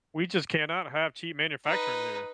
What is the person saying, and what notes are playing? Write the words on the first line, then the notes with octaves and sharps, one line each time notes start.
We just cannot have cheap manufacturing here.
D#4 B4